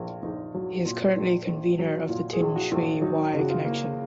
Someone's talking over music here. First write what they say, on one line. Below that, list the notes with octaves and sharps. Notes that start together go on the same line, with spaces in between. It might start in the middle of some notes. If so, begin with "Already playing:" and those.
He is currently convenor of the Tin Shui Wai Connection.
Already playing: A#1 A#2 F4 A#4
A#1 D#4
F#3
A#2
A#1
A#1
F#3
A#2 F4
G#4
A#1
F#4
A#1
F#4
F#3 D#4
C#3
F#4
F4
A#3